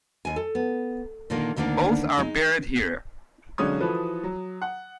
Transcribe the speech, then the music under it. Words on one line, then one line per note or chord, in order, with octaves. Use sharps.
Both are buried here.
D#2 G#5
A4
B3
A#2 D3 D#3 A#3
D2 D3 D#3 A#3 D4
G#3 D#4
B1 D3 G#3 C#4 D#6
E3 F3 F#4 A4 B4
F#3
F#5